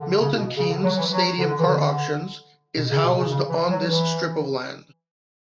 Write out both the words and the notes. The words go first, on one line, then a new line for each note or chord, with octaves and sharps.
Milton Keynes Stadium Car Auctions is housed on this strip of land.
D3
C#3
B2
C#3
D3
F#3
E3
F#3
D3
E3
D3
B2
C#3
B2
C#3
C#3
E3
F#3
E3